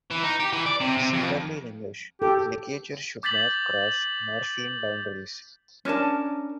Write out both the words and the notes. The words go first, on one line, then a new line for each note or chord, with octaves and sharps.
Similarly in English, ligatures should not cross morpheme boundaries.
E3
D#4
G4
E3
D5
C3
C3
F2
G4 A4
D6 G6 A6 B6 F#7
C#4 D4 A#4 A5